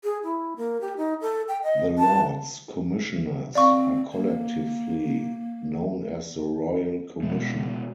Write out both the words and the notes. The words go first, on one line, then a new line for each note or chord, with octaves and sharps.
The Lords Commissioners are collectively known as the Royal Commission.
G#4
E4
A#3
G4
D#4
A4
G5
D#5
A5
C4 D5 F5 C#6
A#3
B2 G#3 B3